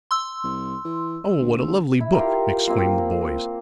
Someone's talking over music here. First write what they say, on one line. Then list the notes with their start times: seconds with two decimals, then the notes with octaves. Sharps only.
"Oh, what a lovely book!" exclaimed the boys.
0.11 C6 E6
0.44 C2
0.85 E3
1.40 D2
2.00 E4
2.15 F4 G4 A#4
2.67 A#3 C4 F4